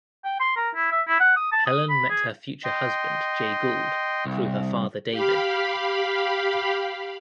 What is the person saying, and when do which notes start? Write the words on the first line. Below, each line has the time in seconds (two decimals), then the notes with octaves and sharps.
Helen met her future husband Jay Gould through her father David.
0.24 G5
0.40 C6
0.56 A#4
0.75 E4
0.91 E5
1.07 E4
1.20 F#5
1.36 D#6
1.52 A5
1.66 D#6
1.89 B5
2.10 G#4
2.64 D#5 G5 C6
4.25 C2
5.11 G4 F5 B5